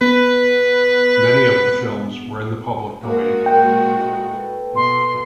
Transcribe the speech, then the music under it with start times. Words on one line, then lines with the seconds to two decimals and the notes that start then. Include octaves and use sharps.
Many of the films were in the public domain.
0.01 B3 B4
3.03 A#2 G#3 A#3 F#4 F5
3.46 A#4 C5 F#5 G5
3.97 E4 A4 D#5
4.33 A4 B4
4.76 B2 C6